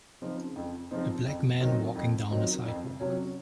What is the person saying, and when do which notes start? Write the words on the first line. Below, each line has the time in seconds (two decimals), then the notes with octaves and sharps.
A black man walking down a sidewalk.
0.21 C#3 F3 C4 D#4
0.56 F2
0.91 C#3 F3 C4 D#4
1.26 F2
1.60 D#3 F#3 C4 D#4
1.95 F2
2.30 D#3 F#3 C4 D#4
2.66 F2
3.00 C3 F#3 C#4